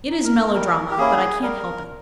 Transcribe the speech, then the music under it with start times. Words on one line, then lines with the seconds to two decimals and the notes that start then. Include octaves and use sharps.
It is melodrama; but I can't help it.
0.10 D#4
0.24 A#4
0.54 G3 A#4
0.90 G4
0.98 A#3 C#4 E4 G#4
1.42 G3 A#4